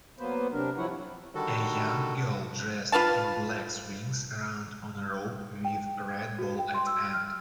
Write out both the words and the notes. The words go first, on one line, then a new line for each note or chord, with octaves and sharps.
A young girl dressed in black swings around on a rope with red ball at end.
F#3 A#3 B3 B4 C5
C3 D4 A#4
F3 F#3 E4 C#5 F#5
D3 D#3 G3 F#4 A4
F4 B4 F5 A5
G5
G#6
F#4
G5
C6
E6
F6